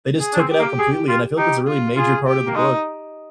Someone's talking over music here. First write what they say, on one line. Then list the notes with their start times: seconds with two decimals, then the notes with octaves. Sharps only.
they just took it out completely, and I feel like that's a really major part of the book.
0.20 G#4
0.34 D4
0.40 C4
0.50 G4
0.60 A#3
0.79 G#4
1.09 F4
1.38 D#4 G4
1.67 F4
1.97 F4 G#4
2.27 G4
2.47 A#3
2.56 G#3 D#4